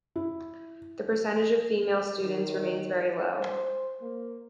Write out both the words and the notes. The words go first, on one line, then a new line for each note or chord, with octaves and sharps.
The percentage of female students remains very low.
E4
D#3
C5
A#3